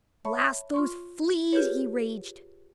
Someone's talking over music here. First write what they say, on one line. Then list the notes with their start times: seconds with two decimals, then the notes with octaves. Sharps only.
"Blast those fleas!" he raged.
0.25 C#5 E5 A5 B5 C#6
0.74 F4 C6 C#6
1.53 F4 G4 G#4 A#4 B4 C#5